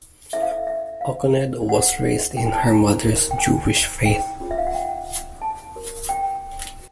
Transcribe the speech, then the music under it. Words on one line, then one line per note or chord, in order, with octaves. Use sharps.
Okonedo was raised in her mother's Jewish faith.
C#4 E4 A4 C5 E5
F5
E5
E5
F5
F#4 A4 C#5 F#5
G5
G#5
A5
A#5
A5
F#4 A#4 C#5
G5
G#5
G5
C#4 F4 G#4 C#5
E5
F5
F#5
G5
A5
F#4 A#4 C#5
G5